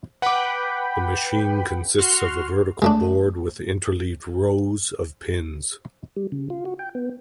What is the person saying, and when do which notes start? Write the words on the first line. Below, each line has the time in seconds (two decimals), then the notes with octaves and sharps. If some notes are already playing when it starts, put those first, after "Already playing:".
The machine consists of a vertical board with interleaved rows of pins.
0.22 B4 F#5 G5 B5 D6
1.98 F#4 C6 F6
2.82 G#3 A3 D4
6.16 G3
6.32 C#3
6.50 F4
6.65 F#4
6.79 G5
6.95 B3